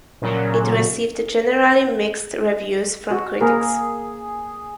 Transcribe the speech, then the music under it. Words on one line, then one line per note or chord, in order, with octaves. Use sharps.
It received generally mixed reviews from critics.
A#2 C#3 F#3
F#4 E6
A#3 G#4 A#4